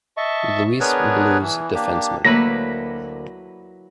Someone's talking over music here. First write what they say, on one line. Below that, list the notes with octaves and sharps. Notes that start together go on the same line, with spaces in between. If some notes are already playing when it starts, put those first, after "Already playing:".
Louis Blues defenseman.
D#5 E5 A5 C#6
B3 D4 G#4 A#4 B4 C#5
E3
A#3 D4 G4
D2 F#3 A#3 E4 B4 A#6